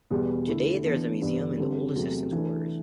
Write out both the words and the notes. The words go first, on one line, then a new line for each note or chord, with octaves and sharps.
Today there is a museum in the old assistants' quarters.
E2 B2 G3 B3
D3 A3 E4 A4
E3 B3 D4
G2 E3 B3
D3 G3 C4
E2 C3 F#3 A3
E3 A3 D4